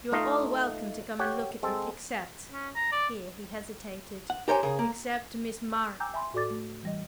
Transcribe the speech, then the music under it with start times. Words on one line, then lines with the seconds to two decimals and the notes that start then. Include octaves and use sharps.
You are all welcome to come and look at it except ..." here he hesitated,--"except Miss Murray.
0.12 A3 D#4 F4 D#5 F5
1.19 G4 C#5 F#5
1.63 G#3 C4 A4
2.52 C#4
2.75 A#5
2.92 D5
4.30 F#5
4.48 G4 A#4 C5 C#5 G5 G#5
4.63 C#3 G#4 A#4
4.79 A#3
6.00 G5 G#5 A#5 D6 E6 G6
6.14 E5 G#5 B5 C6
6.33 A2 F#4 A4 D5 D6 A6
6.51 A3
6.83 E3 G3 D#5